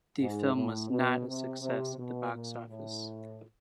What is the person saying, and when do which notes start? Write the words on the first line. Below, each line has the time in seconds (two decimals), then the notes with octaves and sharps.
The film was not a success at the box office.
0.19 G#2
0.53 A2
0.89 B2
1.25 C3
1.60 C3
1.96 B2
2.31 A#2
2.68 A2